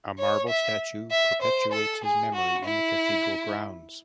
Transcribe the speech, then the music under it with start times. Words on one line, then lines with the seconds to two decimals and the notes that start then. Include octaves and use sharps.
A marble statue perpetuates his memory in the Cathedral grounds.
0.19 C#5
0.49 E5
1.11 E5
1.42 C5
1.72 A4
2.04 G#4
2.34 F#4
2.65 E4